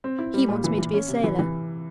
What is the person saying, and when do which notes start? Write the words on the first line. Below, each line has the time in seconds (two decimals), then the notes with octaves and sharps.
"He wants me to be a sailor."
0.04 C4
0.19 E4
0.34 G3
0.49 A#2
0.64 E3
0.79 E3
0.94 C#4
1.08 C3
1.24 E3
1.39 E3